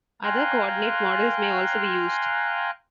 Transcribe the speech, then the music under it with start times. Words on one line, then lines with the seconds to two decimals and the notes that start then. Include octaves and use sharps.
Other coordinate models may also be used.
0.24 F5 G5 G#5 A#5 C6 F#6